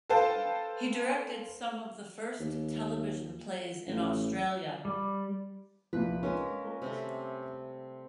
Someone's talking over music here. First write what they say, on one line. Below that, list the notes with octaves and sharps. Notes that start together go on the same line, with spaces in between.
He directed some of the first television plays in Australia.
A4 B4 C5 F5 G5 A5
D#2
A1
G3
C2 A#2 F3 B4
G#3 A#3 C#4 A#4 B4
C3 G3 A3